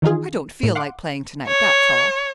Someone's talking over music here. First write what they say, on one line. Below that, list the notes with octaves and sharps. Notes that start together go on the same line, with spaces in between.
"I don't feel like playing to-night; that's all."
D#3 E3 D#4 F4 G#4
A2
F5 F#5 C6 D6
C#5